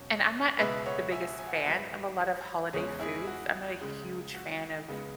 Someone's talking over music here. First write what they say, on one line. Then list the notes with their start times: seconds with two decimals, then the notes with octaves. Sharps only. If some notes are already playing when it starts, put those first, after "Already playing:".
and I'm not, e the biggest fan of a lot of holiday foods. I'm not a huge fan of
Already playing: E1 E2 B2 F#3 C#4
0.58 C#2 B2 G#3 B3 B4 E5
0.86 C#5 F#5
1.12 E5 G#5
1.39 G#5
1.47 F#5
1.55 E5 G#5
1.65 G#1 G#2 F#3 B3 B4 E5
2.73 E2 C#3 G#3 G#4 C#5
3.00 E4 G#4
3.27 F#4
3.81 C#2 C#3 G#3
4.34 F#4
4.88 C#2 C#3 G#3 B3